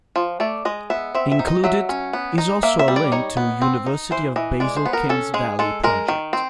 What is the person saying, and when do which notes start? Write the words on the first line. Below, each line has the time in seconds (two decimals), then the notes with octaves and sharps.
Included is also a link to "University of Basel King's Valley Project".
0.16 F3
0.40 A3 D5
0.65 G#3 D#5
0.90 B3 E5
1.15 C4 E5
1.32 E5
1.39 D#4
1.48 D#5
1.64 F#3 E5
1.89 C#4
2.13 B3
2.38 D#4
2.63 A#3 E5
2.79 E5
2.88 G3
2.96 D5
3.12 D#4 C#5
3.37 B3
3.62 C4
3.86 D#4
4.11 E3 C5
4.36 E3 D#5
4.60 G#3 D5
4.77 C5
4.86 B3
4.93 A#4
5.09 C#4 A4
5.34 G#3 G#4
5.59 G#3 A4
5.84 G#3 A#4
6.08 D#3
6.33 C4